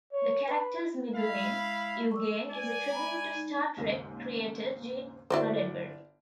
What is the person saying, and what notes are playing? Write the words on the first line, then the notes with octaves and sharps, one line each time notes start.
The character's middle name, "Eugene", is a tribute to "Star Trek" creator Gene Roddenberry.
C#5
B4
G#3 E4 F5 B5
C#6 D6 E6
D5 G#5
A#5 B5
D#4
D#2 G#2 C#3
G1 E4 F#4 C5 D5 D6